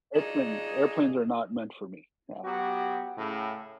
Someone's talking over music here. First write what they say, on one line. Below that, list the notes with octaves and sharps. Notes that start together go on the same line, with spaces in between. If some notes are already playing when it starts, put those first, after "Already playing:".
airplane airplanes are not meant for me, yeah.
F#3 D4 D#4 F4 G#4
F#3 B3 F#4 G4
A2 C#3